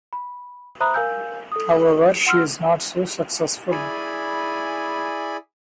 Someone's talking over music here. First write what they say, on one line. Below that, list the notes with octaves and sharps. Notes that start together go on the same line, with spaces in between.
However she is not so successful.
B5
C5 E5 A#5 B5 D#6 F#6
A#4 F5 G#5 E6 G6
A4 D#6
F#5 C6 E6 F6
E4 G#4 D5 G#5 B5